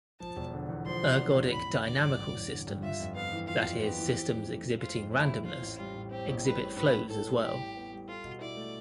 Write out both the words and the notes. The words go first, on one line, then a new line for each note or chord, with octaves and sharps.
Ergodic dynamical systems, that is, systems exhibiting randomness, exhibit flows as well.
F3 A5
E1
D3
E2
F3 C6
E1
D3
E2
A1 B5
A1
D3 D5
G2
A1
A1
D3
G2
F4 E5
F2
B3 F5
E3
F4 F5
F2
B3 G4
E3
C4
F2
A3
E3
C4 F4
F2
A3 E4
E3
C4 F4
A1
G3 F4
A2
C4 G4
A1
G3 B4
A2
A2 B4
A2
B3 A4
G3
A2 G4
A2
B3
G3
F4 A4
B2
E4 D5
A3